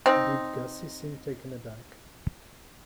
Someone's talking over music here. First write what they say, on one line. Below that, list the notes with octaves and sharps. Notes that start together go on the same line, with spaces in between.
Did Gussie seem taken aback?
C4 D#4